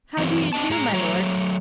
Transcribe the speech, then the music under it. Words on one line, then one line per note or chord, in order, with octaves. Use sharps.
How do you do, my Lord?'
E3 F#3 A#3 C4 E4
C4 D4 D#5 A5
A2 G#4 A#5
F#3 A3 C#5 A#5